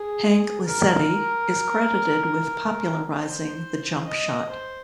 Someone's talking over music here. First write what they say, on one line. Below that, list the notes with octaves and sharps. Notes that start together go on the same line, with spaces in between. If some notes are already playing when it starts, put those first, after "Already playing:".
Hank Luisetti is credited with popularizing the jump shot.
Already playing: G#4
A#4
C5
D#5
C5